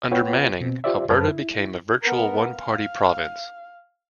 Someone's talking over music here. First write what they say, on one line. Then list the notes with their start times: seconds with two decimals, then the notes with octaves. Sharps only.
Under Manning, Alberta became a virtual one-party province.
0.11 B3 F4 B4 C#5 F#5 G5
0.61 B2 C4
0.84 F4 G4 C5 D5 E5
1.10 F#2 A4 B4 C5 A5 F6
1.28 E4
2.02 B3 A#4
2.51 F5